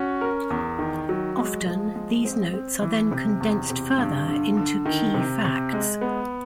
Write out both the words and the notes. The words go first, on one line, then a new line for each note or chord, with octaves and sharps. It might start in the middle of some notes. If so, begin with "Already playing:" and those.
Often, these notes are then condensed further into key facts.
Already playing: C#4 F#4
A#4
E2
D#3
F#3
G#3
F3
G#3
C4
C4
E3
C3
E2
C3
G2
D3
D3
D#3
C3
C3
G#3
B3